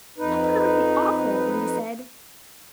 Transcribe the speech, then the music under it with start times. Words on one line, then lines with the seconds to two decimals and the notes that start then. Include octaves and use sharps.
"How perfectly awful," Wendy said.
0.18 F2 D#4 B4